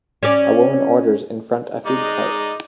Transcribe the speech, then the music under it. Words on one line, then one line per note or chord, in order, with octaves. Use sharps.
A woman orders in front a food cart.
C#4 D5
G#3 D#4 D5